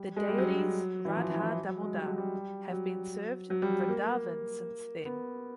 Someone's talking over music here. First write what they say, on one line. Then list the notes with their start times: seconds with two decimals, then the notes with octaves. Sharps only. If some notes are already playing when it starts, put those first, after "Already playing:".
The deities Radha Damodar have been served in Vrindavan since then.
Already playing: G3
0.16 G#3
0.28 G3
0.38 F#3
1.05 E3
1.17 F3
1.30 E3
1.42 E3
1.68 F#3
1.81 G#3
1.94 G3
2.05 F#3
2.18 G3
2.72 F#3
3.50 F#3
3.62 G3
3.89 A#3
5.05 B3